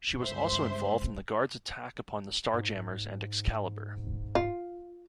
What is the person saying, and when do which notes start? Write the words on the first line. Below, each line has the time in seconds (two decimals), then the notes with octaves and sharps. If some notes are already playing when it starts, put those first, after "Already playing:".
She was also involved in the Guard's attack upon the Starjammers and Excalibur.
0.21 G1 C#2 C5 E5 C6
2.54 G#2
4.35 F4